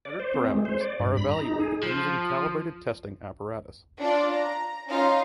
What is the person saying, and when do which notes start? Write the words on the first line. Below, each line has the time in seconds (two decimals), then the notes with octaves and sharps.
Standard parameters are evaluated using calibrated testing apparatus.
0.05 D5
0.20 C5
0.34 C4
0.50 G#3
0.65 C5
0.81 D5
0.99 G2
1.17 B5
1.29 A#5
1.41 D#4
1.60 G#4
1.83 F3
4.00 D4 F4 D5
4.32 A#5
4.87 C#4 D#4 F4 F5